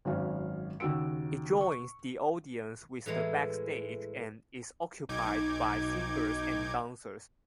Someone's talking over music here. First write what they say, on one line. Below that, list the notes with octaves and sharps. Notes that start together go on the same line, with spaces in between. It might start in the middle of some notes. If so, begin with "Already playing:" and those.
It joins the audience with the backstage and is occupied by singers and dancers.
G#1 F#2 C#4 F5
D#2 C#3 F#4 E6 D7
C#6
A2 E3 G#3 A#5
B1 D#4 D6 G6 G#6